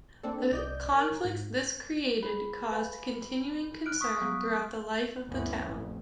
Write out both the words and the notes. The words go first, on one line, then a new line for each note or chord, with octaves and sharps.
The conflicts this created caused continuing concern throughout the life of the town.
A#3 C4 D4 A4
C2 D5 D#5 G6
A#4
G#2
G#4 B5
B4 F5 G#5
F6 F#6 D7
C#6 D#6 B6
F#3 G3 B3
G1 D2 E3 B3 C#4
A1 F2